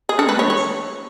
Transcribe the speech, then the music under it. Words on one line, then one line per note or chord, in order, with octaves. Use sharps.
Oh, nice.
G#4
A4
B4
C#5
C#5